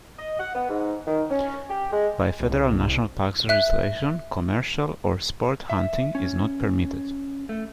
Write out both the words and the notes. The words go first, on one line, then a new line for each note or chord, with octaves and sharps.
By federal national parks legislation, commercial or sport hunting is not permitted.
D#5
F#5
B3
G#2
D#3
C#4
G4
G#3
C2
E5 F#6
E5
C#4
A3